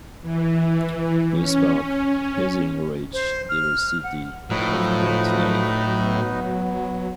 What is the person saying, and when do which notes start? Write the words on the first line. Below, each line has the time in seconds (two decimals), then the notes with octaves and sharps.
The park has a rich diversity of plant life.
0.22 E3
1.32 C#4
3.13 C5
3.49 F6
4.03 F#5
4.50 A2 F3 F#3 D#4 B4
6.03 B3